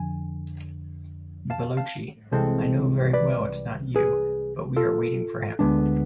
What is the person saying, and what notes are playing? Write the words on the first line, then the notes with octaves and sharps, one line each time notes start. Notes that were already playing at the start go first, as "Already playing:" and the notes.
Baloche, — I know very well it’s not you! But we are waiting for him.
Already playing: F2 D3 F3 G#5
F5 A5
F5 A5
C2 C3 E3 G#3 C4 A4 C5
B4 D5
G#4 B4
F4 A4
D2 D3 G#3 B3 D4